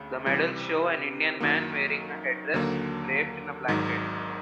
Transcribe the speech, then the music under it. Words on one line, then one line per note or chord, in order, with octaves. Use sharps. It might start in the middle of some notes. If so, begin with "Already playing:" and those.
The medals show an Indian man wearing a headdress, draped in a blanket.
Already playing: D2 C#3
C3 E3 G3 C4
F#2 D#3 F#3 A#3
D#2 D3 F#3 A#3
G#1 G#2 D#3 F#3